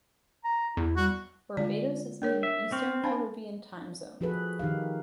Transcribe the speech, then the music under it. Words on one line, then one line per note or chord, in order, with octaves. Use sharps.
Barbados is in the Eastern Caribbean Time Zone.
A#5
E2 E4
G3 F#4
D3 G#3 F4 D5
A#3 D4 A#4 C#5
E5
C4 C#6 F6
D4 C5 F5 G#5 A5 B5
F3 F#4 G#4 A4 B4
D#3 D#4 G4 F5